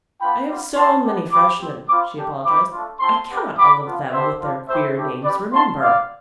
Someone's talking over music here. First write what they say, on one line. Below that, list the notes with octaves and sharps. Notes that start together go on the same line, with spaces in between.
"I have so many freshmen," she apologized, "I cannot all of them with their queer names remember."
B3 D4 F4 G5 B5
G3 B3 F4
B3 E4 G4 A5 C6
B3 D4 G4
G3 C4 G4 B5 D6
C4 G4
C4 F4 B5 D6
G3 D4 G4
C4 F4 B5 D6
A3 D4 F4
C4 F4 A5 C6
B3 D4 G4
B3 E4 G4 B5 D6
B3 D4 F4
B3 D4 G4 C5 E5
G3 D4 F4
A3 E4 G4 C5 E5
A3 E4 G4
G3 C4 G4 B4 D5
B3 F4 A5 C6
B3 F4 D5 F5